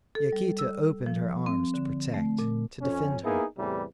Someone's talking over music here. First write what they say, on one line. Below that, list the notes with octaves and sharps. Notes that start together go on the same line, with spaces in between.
Yaquita opened her arms to protect, to defend her.
A4
G3
E6
F3
C4
D3
A3
A#2
F2 C#4
A#3 B3 D#4 E4 G#4
E2 A2 C3 E3 G3